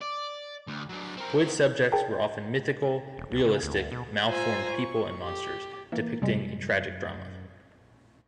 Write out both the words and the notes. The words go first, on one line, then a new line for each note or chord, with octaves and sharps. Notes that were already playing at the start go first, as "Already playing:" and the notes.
Boyd's subjects were often mythical, realistic, malformed people and monsters, depicting a tragic drama.
D5
D2
F#3 D4
C4 A#4
G#4 A#4 G5 A5
E1
C2
C#3
D2
B2
F4 C5 G#5 A#5 E6
C#6
G4
E3 A#3
F#2 C3 G3 G#3